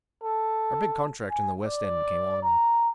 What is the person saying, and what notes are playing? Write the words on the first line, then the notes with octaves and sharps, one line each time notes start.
Our big contract in the West End came on.
A4
G#5
D5
A#5